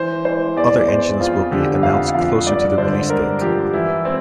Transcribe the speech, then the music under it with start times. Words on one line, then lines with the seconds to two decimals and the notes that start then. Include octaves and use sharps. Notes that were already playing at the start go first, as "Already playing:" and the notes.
Other engines will be announced closer to the release date.
Already playing: E3 C5
0.25 E3 C5
0.56 E2 D5
0.88 E2 C5
1.20 F2 F4
1.51 D3 G4
1.83 F2 F5
2.15 F3 F5
2.47 G2 D5
2.78 D3 C5
3.10 G2 A#4
3.41 F3 G4
3.73 E3 E4
4.05 C4